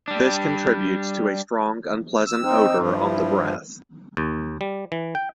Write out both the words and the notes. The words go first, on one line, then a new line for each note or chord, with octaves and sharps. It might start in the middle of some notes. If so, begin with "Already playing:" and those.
This contributes to a strong unpleasant odour on the breath.
G3 D4
E6
C4 D#4
G2 F3
E4
D#2
G3
E3
G5